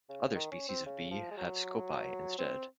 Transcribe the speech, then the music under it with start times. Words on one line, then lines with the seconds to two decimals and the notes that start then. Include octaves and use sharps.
Other species of bee have scopae instead.
0.10 C#3
0.27 C#3
0.35 D#3
0.52 C#4
0.69 C4
0.86 C#3
1.11 F3
1.31 G#3
1.37 F#3
2.39 C4